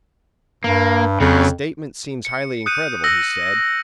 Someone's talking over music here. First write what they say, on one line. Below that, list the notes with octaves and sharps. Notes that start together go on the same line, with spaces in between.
"The statement seems highly incredible," he said.
G2 A#3
F2 C#3 F#3
C#7
D#6 F#6 G6 C#7 D#7
D#6 E6 A#6 F#7